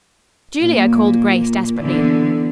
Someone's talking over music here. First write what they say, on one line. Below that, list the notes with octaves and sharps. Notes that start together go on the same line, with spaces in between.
"Julia," called Grace desperately.
A#2 A#3
D3 E3 B3